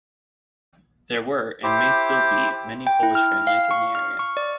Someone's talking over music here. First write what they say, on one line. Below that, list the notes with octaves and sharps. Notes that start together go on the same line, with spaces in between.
There were, and may still be, many Polish families in the area.
E4 G4 C5 D6
G5
E4
F6
F5
C#6
F6
C#6
D5